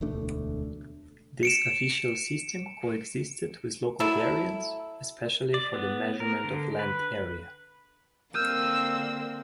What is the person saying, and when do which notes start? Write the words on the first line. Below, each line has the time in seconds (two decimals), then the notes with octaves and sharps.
This official system coexisted with local variants, especially for the measurement of land area.
0.01 E1 D2 A3 D4
1.43 C#7 D7 E7
4.00 F#3 A3 E4
5.54 D5
5.74 B3
6.20 A#4
6.44 D3
6.79 B4
8.34 D3 A#3 C4 A#4 E6 F6 G6 D#7